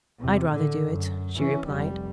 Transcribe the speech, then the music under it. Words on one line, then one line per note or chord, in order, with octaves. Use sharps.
"I'd rather do it," she replied.
E2 C3
A2 D3
F#2
E3 C#4
F1 G3